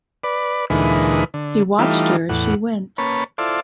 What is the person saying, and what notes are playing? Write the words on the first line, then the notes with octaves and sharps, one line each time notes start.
He watched her as she went.
B4 D5
D2 A#2 E3 G#3 D#4 B4
D3
E3 G3 A3 D#4 F4
E2 A2 F#5
A#3 C#4 B4 C#5 A5 B5
E4 F4 A4 C5 D5